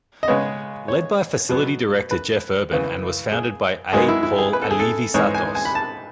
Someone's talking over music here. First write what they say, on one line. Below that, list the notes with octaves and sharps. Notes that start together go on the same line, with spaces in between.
Led by Facility Director Jeff Urban and was founded by A. Paul Alivisatos.
D#5
C#3 G#3 B3 C#5
C#5
B2 F#3 B3
B4
C#3 E3 B3
G#4
F#2 D#3 G#3 B3 G#4
E4
E4
G#4
B4
A4
G#4
A4
G#2 E3 G#3 C#5
G#5
G#5
B5
A5